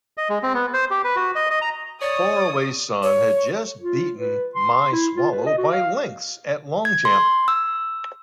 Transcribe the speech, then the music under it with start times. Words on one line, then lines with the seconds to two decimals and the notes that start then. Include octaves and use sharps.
Faraway Son had just beaten My Swallow by lengths at Longchamp.
0.17 D#5
0.29 G#3
0.43 C4
0.54 B3
0.73 C5
0.91 G4
1.04 B4
1.16 F#4
1.35 D#5
1.50 D#5
1.62 A#5
2.02 C#5 D5 D#6
3.03 C#5
3.81 F4
4.19 B4
4.55 C6
4.92 E4
5.16 F4
5.31 B4
5.46 D#5
5.58 F#4
5.73 F5
6.85 G#6
7.05 C6
7.48 E6